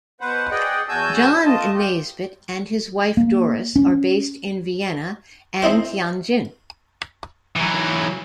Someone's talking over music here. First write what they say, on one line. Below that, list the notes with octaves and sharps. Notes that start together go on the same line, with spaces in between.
John Naisbitt and his wife Doris are based in Vienna and Tianjin.
B2 B4 C5 F#5
G#4 D5 D#5 F#5 G5
E2 F#4 G#5 A5 E6 G6
A3 F4 D#5 A5
G4
A#3
C#4
C4 D#4 E4 C5
E3 F#3